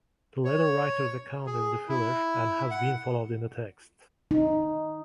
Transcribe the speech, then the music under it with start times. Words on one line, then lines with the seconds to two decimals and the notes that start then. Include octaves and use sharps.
The latter writer's account is the fuller, and has been followed in the text.
0.44 C#5
1.46 G#4
1.88 E4
2.71 F#5
4.31 D#4